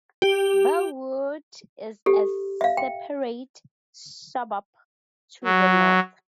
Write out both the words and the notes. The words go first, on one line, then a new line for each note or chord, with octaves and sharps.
Burwood is a separate suburb, to the north.
G4
G4 A4
E5 F5
G5
F#3